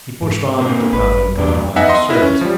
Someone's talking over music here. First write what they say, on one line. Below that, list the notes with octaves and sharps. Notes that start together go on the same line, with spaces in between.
He pushed on into Pathankote to find his servants.
G#2
A#2 A#3 C4
G#1 B4
E2 G2 A#2 D5
B3 D#4 D#5 E5 F#5 G#5
D#5 C6
E4 B4
C#4
F3 G3